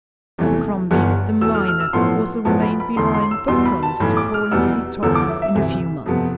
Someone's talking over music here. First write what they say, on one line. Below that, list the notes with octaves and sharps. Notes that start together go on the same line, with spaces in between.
Abercrombie, the miner, also remained behind, but promised to call and see Tom in a few months.
E2 C3 E3 A3
G1 G2 E3 B3
E2 B2 A3 E6
F6
F6
E6
A1 A2 F3 B3 C6
B1 A2 F3 B3 A5
B5
B5
E1 E2 D3 C6
C6
E6
E2 B2 G3 B3 C6
B5
A5
B1 A2 E3 B5
D6
F6
F1 E2 B2 G3 B3 E6
E1 E2 D3 F3 B3 E6
D6
E5
E5
D2 C3 E3
F2 C3 F3 B3